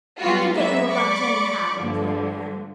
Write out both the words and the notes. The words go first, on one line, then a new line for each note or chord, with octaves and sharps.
"Let me get you a lunch anyhow," implored Anne.
F#3 G3 B3 F4 F#4
F#3 G#3 A#3 B3 E5
D5 B5 C#6 D6
G2 D3 F3